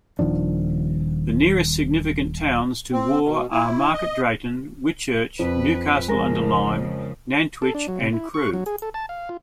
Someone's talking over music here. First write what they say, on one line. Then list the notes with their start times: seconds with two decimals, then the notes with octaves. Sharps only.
The nearest significant towns to Woore are Market Drayton, Whitchurch, Newcastle-under-Lyme, Nantwich and Crewe.
0.19 D#1 D#3 F3 D4
2.92 C4
3.24 B2
3.51 E4
3.94 D#5
5.39 F2 B4
6.08 C#3 F3 G#3 A#4
7.62 A4
7.75 D4
7.88 F#3
8.00 C3
8.13 E4
8.34 C#6
8.53 F#3
8.66 G#4
8.82 A4
8.94 A5
9.09 F5
9.29 F4